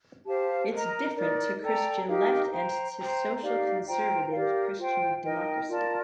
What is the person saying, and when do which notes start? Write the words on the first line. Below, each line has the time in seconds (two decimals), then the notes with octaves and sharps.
It's different to Christian left and to social-conservative Christian democracy.
0.26 G4 C5 F5 A5
0.72 A#4 D#5 A#5
1.16 D#4 A#4 D5
1.62 A4 D5 G5 A#5
2.07 D#4 G4 A#4 F5
2.52 C5 G5 A#5
2.97 C5 G5 A#5
3.43 D#4 G4 D5 F5
3.88 F4 C5 G5 A#5
4.32 G4 A#4 D5 F5
4.77 F4 C5 G5
5.24 D#4 A#4 D#5 G5
5.68 F4 A#4 D5 A5